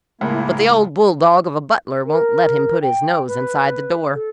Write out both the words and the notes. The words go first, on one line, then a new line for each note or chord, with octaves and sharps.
But the old bulldog of a butler won't let him put his nose inside the door.
C#2 A2 A#3 E4
A#4
G5
B4
A4